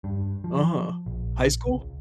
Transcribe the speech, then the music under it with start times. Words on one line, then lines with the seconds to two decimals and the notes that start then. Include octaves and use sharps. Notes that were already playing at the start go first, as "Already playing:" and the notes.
Uh-huh. High school?
0.04 G2
0.44 F3
1.06 A#1
1.66 C#2